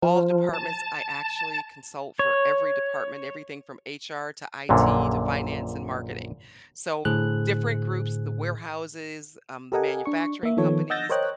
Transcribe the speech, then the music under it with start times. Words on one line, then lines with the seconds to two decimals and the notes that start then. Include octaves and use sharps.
all departments, I actually consult for every department, everything from HR to IT to finance and marketing, so different groups, the warehouses, um, the manufacturing companies.
0.03 F3
0.53 A5
2.19 C#5
4.69 A#1 F#2 A#2 D3
7.05 A2 D3 G#4 C5 F#6
9.72 G4 A4 A#4 D#5 F#5 G#5
10.06 D4 C#6
10.43 A#3 E5
10.57 D#3 F3 B3 A4 C#5
10.90 D#5 F#5 E6 G6 A6 A#6
11.09 A#4 C5 C#5 D#5 G5 F#6